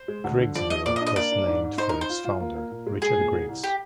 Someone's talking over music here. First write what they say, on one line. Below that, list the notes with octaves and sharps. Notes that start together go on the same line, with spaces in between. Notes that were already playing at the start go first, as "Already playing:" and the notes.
Griggsville was named for its founder, Richard Griggs.
Already playing: C5
G#3
D2
D3
F3 D5
F3 D#5
A#2 D5
D#5
D4
D#5
A#3 D5
D4
G#2
G#2
D#4 C5
D#4 A#4
C5
F4
F4
A#3
A#3
A#2
G#3
G#3 G#4
A#2
C2
C2
G4